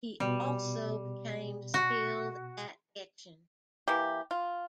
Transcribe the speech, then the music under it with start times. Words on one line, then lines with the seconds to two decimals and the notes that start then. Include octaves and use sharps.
He also became skilled at etching.
0.20 B2 G3
1.74 F#4
3.88 E3 A#3 G4
4.31 F4